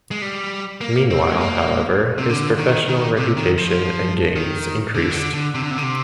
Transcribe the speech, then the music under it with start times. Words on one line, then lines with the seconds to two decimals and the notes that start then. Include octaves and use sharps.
Meanwhile, however, his professional reputation and gains increased.
0.11 G#3
0.22 G3
0.81 A#3
1.10 C4
1.31 G#3
1.41 A#3
2.18 C3
2.29 D3
2.58 D#3
2.88 D#3
3.17 C3
3.37 D#3
3.58 F3
4.36 D#3
4.95 D3
5.10 D#3
5.14 D3
5.34 D3
5.54 C3
5.63 D3
5.71 C3
5.78 D3
5.83 C3